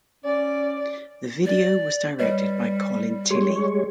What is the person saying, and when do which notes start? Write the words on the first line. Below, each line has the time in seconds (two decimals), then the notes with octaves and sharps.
The video was directed by Colin Tilley.
0.25 C#4 D5
1.46 D5
2.19 G3 B4 C#5 D#5
3.30 G3 G#3 G4 G#4 C#5 C6